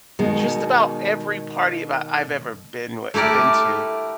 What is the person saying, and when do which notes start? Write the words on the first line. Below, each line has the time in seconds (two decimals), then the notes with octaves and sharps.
just about every party that I've ever been with been to
0.19 B2 D#3 G#3
3.14 A3 E4 G4 A#4 D5